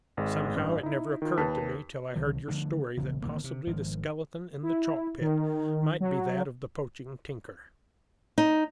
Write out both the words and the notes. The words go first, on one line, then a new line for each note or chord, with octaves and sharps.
Somehow, it never occurred to me till I heard your story that possibly the skeleton in the chalk-pit might be that of the poaching tinker.
G#1 G#3
A1 G2
D#4 E4
D#3 F4
D#2 A#4 B4 A5 B6
C2 D3 D#3 F#3
D3 F3 A3 D4
E1 A#1 C#3
G#1 F2 D3 A#3
C3
G#1 F3
E4
D#3
F#3
D#4